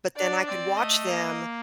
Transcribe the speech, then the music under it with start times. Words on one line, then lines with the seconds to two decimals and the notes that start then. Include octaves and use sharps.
But then I could watch them
0.16 D4 D5
0.47 C4 D5
0.77 A3 D#5
1.08 A#3